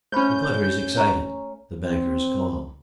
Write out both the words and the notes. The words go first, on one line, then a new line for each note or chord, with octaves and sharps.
The punter is excited, the banker is calm.
A3 C#4 C5 B5 C#6 G6
C#5 A#5 C#6
C4